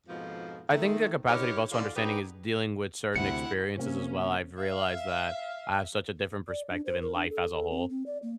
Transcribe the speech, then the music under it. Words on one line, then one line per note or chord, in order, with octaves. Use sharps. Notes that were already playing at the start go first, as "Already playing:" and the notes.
I think the capacity of also understanding is dealing with certain experiences as well, I've realized that I have such a different perspective in life as a whole.
F2 G#2 B2 F3
D#3 A3
B3 D#4 G4 A#4 C#5
D3 D#3 C#4 F4 D5
B3 D4 D#4 G4 G#4 B4
D2 C3 E4 F#5 C#7
C3 A#3 C#4
E5 F5
D5
D4
C5
A#4
D4
A4
A4
C4
C4
D5
A#3